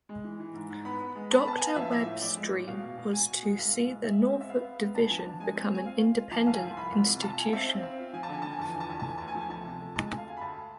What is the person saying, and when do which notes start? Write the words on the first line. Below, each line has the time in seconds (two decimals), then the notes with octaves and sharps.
Doctor Webb's dream was to see the Norfolk Division become an independent institution.
0.09 G#3
0.24 E3
0.40 E3
0.54 G#2
0.70 G#2
0.85 B3 B5
1.00 B3
1.15 G#3
1.31 B3 A5
1.39 B5
1.46 B3 A5
1.58 B3 G#5
1.67 F5
1.76 F3 E5
1.92 A2 E5
2.06 A2
2.21 F3 D5
2.37 G#3
2.52 A2
2.67 B2 F5
2.83 B2
2.97 B2
3.13 B2 G#5
3.28 B2
3.43 G#3
3.58 C2 F5
3.73 G#3
3.89 G#3
4.04 G#3 E5
4.19 G#3
4.34 C4
4.41 E5
4.49 B3 F5
4.65 B3
4.79 B3
4.95 D4 A5
5.07 F3 G#5
5.19 A5
5.25 D4
5.40 G#3 G#5
5.55 C4
5.71 C4 G#5
5.86 F4 F5
6.01 F4
6.17 F4
6.31 F3 A5
6.39 G#5
6.46 C2 F5
6.53 G#5
6.62 F3
6.71 C6
6.77 C2 B5
6.92 C2
7.07 C3
7.23 F4 A5
7.38 F4 G#5
7.53 C4 E5
7.68 C4 F5
7.83 C4
7.98 F4
8.13 F3 G#5
8.23 A5
8.29 D3 G#5
8.42 F3 A5
8.51 G#5
8.59 E2 A5
8.70 D3 G#5
8.80 A5
8.89 E2 G#5
8.99 A5
9.05 A3 G#5
9.18 D2 A5
9.28 G#5
9.35 F3
9.40 G#5
9.50 F3 A5
9.65 C3
9.81 A3
9.96 G#3 A5
10.07 D2 G#5
10.18 F5
10.26 D2 G#5
10.37 B5
10.41 D2 A5